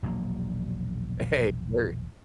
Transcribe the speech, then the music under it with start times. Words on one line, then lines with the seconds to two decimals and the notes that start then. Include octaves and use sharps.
Hey, mer
0.03 E1 A#1 F#3 A#3